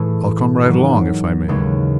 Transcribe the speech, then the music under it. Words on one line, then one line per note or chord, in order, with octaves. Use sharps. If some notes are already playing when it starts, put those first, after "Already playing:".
"I'll come right along if I may."
Already playing: A2 E3 A3 E4 G#4
G#2 D#3 F#3
D#2 C#3 E3 G#3 C#4